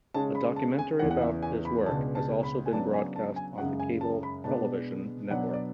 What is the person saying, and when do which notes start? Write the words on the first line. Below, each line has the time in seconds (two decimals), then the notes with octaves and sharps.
A documentary about his work has also been broadcast on the Cable Television network.
0.14 C#3 G#3 C#4 A5
0.35 B5
0.56 A5
0.79 G#5
0.99 E2 C#3 E3 F#5
1.11 F#5
1.22 E5
1.43 G#5
1.65 B5
1.86 C#2 B2 G#3 D4 A5
2.15 A5
2.43 B5
2.66 G#5
2.73 C#3 F#3 B3 D4 A5
2.94 G#5
3.16 A5
3.36 G#5
3.58 F#2 C#3 G#3 C#4 F#5
3.80 G#5
4.01 A5
4.23 B5
4.44 B2 G#3 B3 D4 A5
5.31 B2 F#3 B3 D4 F#5
5.53 D5